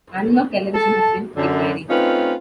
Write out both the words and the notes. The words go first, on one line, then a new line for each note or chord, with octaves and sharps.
Analogue television has been declining.
A4 A5
F#2 D3
A3 C4 C#4 D#4 F4 B4